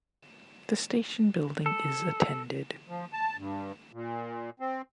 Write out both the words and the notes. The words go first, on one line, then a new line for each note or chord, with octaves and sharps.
The station building is attended.
A4
F3
A5
G2
A#2
C4